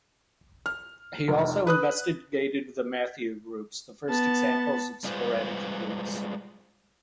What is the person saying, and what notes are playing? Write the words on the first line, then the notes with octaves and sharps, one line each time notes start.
He also investigated the Mathieu groups, the first examples of sporadic groups.
F6
F1
B4 D#6 F#6
B3 A5
G3 G#3 F4 G#4 B4 C5